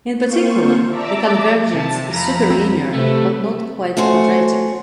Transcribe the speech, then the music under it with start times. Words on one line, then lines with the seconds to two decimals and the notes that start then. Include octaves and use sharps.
In particular, the convergence is superlinear, but not quite quadratic.
0.25 A#3 C4 F4 C5 C#6
0.89 D5 E5 A5 A#5 D6 E6
1.74 C3 A5
2.11 F2 A#5 B5
2.50 C4
2.94 C3 A3 B4
3.97 A3 C#4 F#4 C5